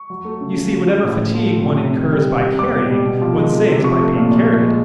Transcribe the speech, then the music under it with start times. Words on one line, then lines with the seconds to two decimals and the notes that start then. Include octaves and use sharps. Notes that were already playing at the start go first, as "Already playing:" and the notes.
You see, whatever fatigue one incurs by carrying, one saves by being carried!
Already playing: C#6
0.10 F#3
0.25 A3
0.41 C#3
0.56 C#3
0.72 F3
0.87 G#3
1.04 A2
1.19 A2
1.34 F3
1.50 A3
1.66 C3
1.81 C3
1.97 D#3
2.12 G3
2.28 C3
2.43 C3
2.59 G3 D6
2.75 B2
2.91 G3
3.06 B2
3.22 F3
3.38 G#3
3.53 C3
3.69 C3
3.84 F3 C#6
4.00 A3
4.16 A#2
4.31 A#2
4.47 F3
4.62 G#3